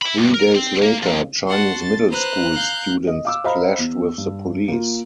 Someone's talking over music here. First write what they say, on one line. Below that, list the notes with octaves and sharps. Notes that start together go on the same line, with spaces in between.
Three days later, Chinese middle school students clashed with the police.
E5 B5
D2 G2
A#4
C4
A#3 A#4
F3 A#3
F#4 F#5 A5 C6
A6
B4 C5 A#5 F#6
F5 G6
D#5
F5 D6 E6
C5 D#5 F5 A#5 B5
E2
G2
A#3 F4